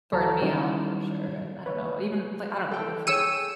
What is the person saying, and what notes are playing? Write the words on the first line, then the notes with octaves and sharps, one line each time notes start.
burn me out for sure. And I don't know, even like, I don't know, with like,
D2 F#3 F#4 A4 A5 A#5
D#3 F#3 G3 C#4 D#4 E4
B4 C#5
A4 G5
G#4 C#5 G5 E6 C#7 D#7